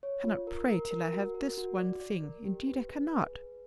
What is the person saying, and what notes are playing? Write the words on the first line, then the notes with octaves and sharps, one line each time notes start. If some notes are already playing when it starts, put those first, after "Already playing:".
I cannot pray till I have this one thing; indeed, I cannot.
C#5
F4
A#4
A#4
A#4
F#4
A#4
F#4
D5
D5
A#4
G4
B4
G#4
B4
G#4